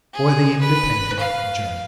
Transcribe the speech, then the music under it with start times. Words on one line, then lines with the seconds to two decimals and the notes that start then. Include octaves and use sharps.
For the Independent Journal.
0.13 G#4
0.60 B4
1.19 F5